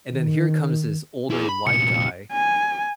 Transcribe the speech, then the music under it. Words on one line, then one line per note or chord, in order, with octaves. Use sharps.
and then here comes this older white guy
D#3
E4 G#4
B5
C2 A#2 C#7
G#5